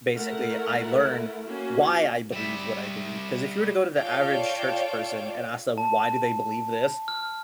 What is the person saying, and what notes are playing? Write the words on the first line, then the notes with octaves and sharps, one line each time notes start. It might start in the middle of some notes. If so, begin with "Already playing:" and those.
Basically, I learn why I believe what I believe, ‘cause if you were to go to the average church person and ask them why do they believe this?
A3 E4 A4 A#4 F#5
A#3 C#4 F#4
G3 E5
F4 A4 C#5 D5 F5 G5
A5
F6